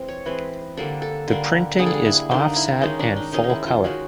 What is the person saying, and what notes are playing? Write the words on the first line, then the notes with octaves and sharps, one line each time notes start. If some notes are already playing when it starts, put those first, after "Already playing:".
The printing is offset and full-color.
Already playing: E3 G#3 C4
C#5
E3 G#3 C4 B4
D3 G3 A#3 D4 A4
A4
D3 G3 A#3 D4
D3 G3 A#3 D4 G#4
A4
G#4
E4
D3 G3 A#3 D4 D#4
E4
D#3 G#3 C#4 D#4
D4
D#4
D#3 G#3 C#4 D#4
D#4
E4
F4
D#3 G#3 C#4 F#4